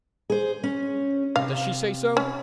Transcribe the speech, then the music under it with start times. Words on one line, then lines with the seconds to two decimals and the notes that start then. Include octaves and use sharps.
'Does she say so?
0.30 G#4 C5
0.63 C#4
1.36 C3 F5
2.17 C#4